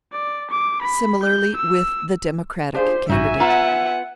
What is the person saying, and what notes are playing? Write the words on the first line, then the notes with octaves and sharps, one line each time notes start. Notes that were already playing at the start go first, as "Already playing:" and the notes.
Similarly with the Democratic candidate.
D5
D6
B5
G6
E6
D4 F4 G4 G#4 C5
A1 G2 D#4 F#4 E5 G#5
B3 F4 F#5 A#5 E6 A6